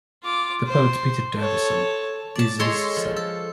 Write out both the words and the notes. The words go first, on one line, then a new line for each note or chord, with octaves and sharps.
The poet Peter Davison is his son.
F4 D6
C5
A4 C#5
D5 A5
G#3 A4 C#5 C6
F3
A4